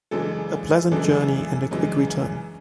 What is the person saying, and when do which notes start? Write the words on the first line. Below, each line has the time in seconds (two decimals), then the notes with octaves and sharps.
A pleasant journey and a quick return.
0.11 F#2 C#3 E3 G#3 D4 A4
0.91 F#2 C#3 E3 G#3 D4 A4
1.71 F#2 C#3 E3 G#3 D4